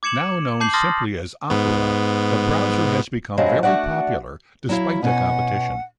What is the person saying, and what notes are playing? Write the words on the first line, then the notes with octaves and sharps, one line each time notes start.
Now known simply as Opera, the browser has become very popular despite the competition.
D6 G#6 C#7 E7 F#7
A5 D6 G6 C7 F#7
A5 C6 D#6 F6 A6 A#6
G#2 B3
G2 B2 F3 F#3 G#3
A3 D4 F#4 D5 F#5
F#3 E4 F5
B2 C#4 F#5